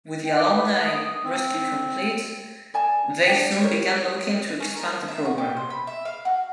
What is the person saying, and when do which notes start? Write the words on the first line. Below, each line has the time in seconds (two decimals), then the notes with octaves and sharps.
With the alumni rescue complete, they soon began looking to expand the program.
0.25 G5
0.36 D6
0.54 B4
0.68 F#5
0.84 D#6
1.24 C4
2.74 D5 G#5 A5
3.26 D4 D5 G5
3.62 G4 A#4 C5 C#5
4.60 C#4
4.76 A#4
5.08 E5
5.25 F#4
5.38 G4
5.57 C5
5.70 B5
5.87 E5
6.05 F5
6.25 F#4